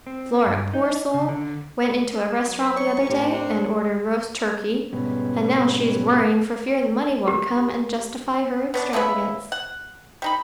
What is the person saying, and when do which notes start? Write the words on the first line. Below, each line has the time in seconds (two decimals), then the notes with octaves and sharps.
Flora, poor soul, went into a restaurant the other day and ordered roast turkey, and now she's worrying for fear the money won't come and justify her extravagance.
0.07 C4
0.46 G2
0.74 D#4
1.14 C#3
1.29 D3
2.45 F#3
2.60 B4
2.76 B3 C#5 A#5 C#6 C#7
3.10 A2 C4 G4 A#4
3.34 D4
4.93 G#2 B2 G3 B3 C#4
7.28 G4
8.74 B3 C#4 D4
8.93 C#3 B3 E4 B4
9.52 F#5
10.22 G3 D#4 B5